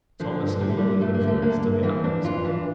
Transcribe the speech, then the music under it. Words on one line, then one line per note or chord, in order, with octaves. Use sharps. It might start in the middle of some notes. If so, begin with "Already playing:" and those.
Thomasin lowered her face to the apples again.
D3 F3
G2
D3 G3
A3
D3 G3
G2 A3
A#3
D3
A3
D3 A#3
G2
E3 C4
F2 D4
E3 F4
E3 D4